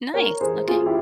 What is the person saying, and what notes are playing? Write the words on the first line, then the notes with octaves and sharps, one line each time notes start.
Nice, okay.
A#3 A#4 C#5
E3 G#4 C5
A#3 F4 G#4
E4 G4